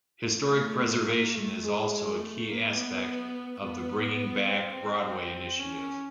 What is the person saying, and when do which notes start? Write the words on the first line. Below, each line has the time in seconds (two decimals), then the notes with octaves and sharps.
Historic preservation is also a key aspect of the Bringing Back Broadway initiative.
0.23 A3
0.51 A3
1.08 A#3
1.35 A3
1.64 G#3
2.20 A3
2.49 A#3
2.77 B3
3.61 B3
4.47 C4
4.74 C4
5.59 C#4